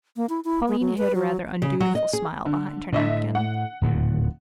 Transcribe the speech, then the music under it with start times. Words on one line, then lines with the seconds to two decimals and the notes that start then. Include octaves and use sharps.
Pauline hid a rather undutiful smile behind her napkin.
0.16 A#3
0.29 E4
0.45 E4
0.68 G#3
0.81 F#3
0.98 B4
1.15 F#3
1.62 C#3
1.80 F#3
1.95 D#5
2.13 G#4
2.46 D3
2.93 A2 D3 D#5 E5
3.35 F#5
3.82 D1 D#2 A#2